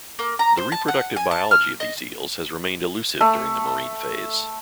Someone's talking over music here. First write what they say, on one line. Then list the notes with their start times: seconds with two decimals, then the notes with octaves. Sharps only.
The reproductive biology of these eels has remained elusive during the marine phase.
0.19 A#3
0.39 A#5
0.57 C5
0.72 A5
0.88 F#5
1.16 G#5
1.31 A5
1.51 F6
1.80 D#5
3.21 A3